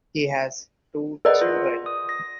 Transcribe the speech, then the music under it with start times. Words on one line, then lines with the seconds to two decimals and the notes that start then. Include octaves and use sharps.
He has two children.
1.25 G#4 A#4 B4 D5 D#5 F#5
1.41 F4
1.86 D#6
2.09 A#6